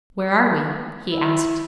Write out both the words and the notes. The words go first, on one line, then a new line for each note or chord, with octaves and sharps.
'Where are we?' he asked.
E4